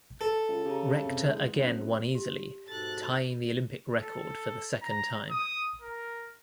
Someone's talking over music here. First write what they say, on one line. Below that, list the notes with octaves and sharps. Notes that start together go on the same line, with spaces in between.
Rector again won easily, tying the Olympic record for the second time.
A4
C#2
C#3 G4 A#5
C3
E2 G#3
F#2 B3 C4 D4
G4
G#2 B2 A4 F#6 A6
A4
A#5
D#6
A#4